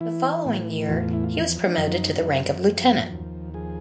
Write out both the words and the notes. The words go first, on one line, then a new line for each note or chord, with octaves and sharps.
The following year he was promoted to the rank of lieutenant.
E3 E4
A2
E2 F#4
F4
E4
F4
F3
D4
F#2 D#4
F#2
F3
D#2
F3 G#4